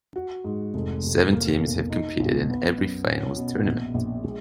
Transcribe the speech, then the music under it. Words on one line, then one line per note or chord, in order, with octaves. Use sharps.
Seven teams have competed in every finals tournament.
F#4
G#2
F1
F1
A#3
B1
D#4
B1
B3
F#2
C#4
B2
A#1
A#1
G#3